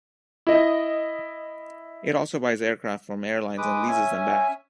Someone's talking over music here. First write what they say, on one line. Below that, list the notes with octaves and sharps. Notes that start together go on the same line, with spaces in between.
It also buys aircraft from airlines and leases them back.
E4 D#5
G#3 B4 D6 D#6
C#4 E5 G#5